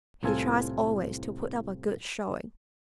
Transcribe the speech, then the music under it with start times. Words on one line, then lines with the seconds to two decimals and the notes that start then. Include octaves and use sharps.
He tries always to put up a good showing.
0.23 C2 A2 C3 F4 A4 G#5